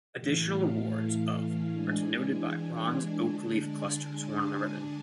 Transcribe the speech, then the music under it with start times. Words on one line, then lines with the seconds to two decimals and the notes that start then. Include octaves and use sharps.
Additional awards of are denoted by bronze oak leaf clusters worn on the ribbon.
0.17 A2 E3 A3 F5
1.70 E3 G#3 D4 G#5
3.23 D3 G#3 D4 A5
3.62 G#5
4.01 G#5
4.39 A5